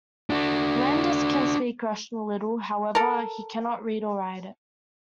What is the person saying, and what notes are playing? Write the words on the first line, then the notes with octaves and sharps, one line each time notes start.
Landers can speak Russian a little; however, he can not read or write it.
D4 F#4
A4 A#4